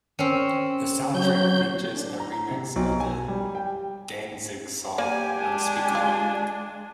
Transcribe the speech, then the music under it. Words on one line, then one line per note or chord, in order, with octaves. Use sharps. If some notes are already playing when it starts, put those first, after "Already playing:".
The soundtrack features a remix of the Danzig song "Unspeakable".
C4 C#4
F#3 G6
D4
A#5
C3
B1
G#5
G3
G5
A#3 G4 D5 G#5
G#3 D4 G#5
F4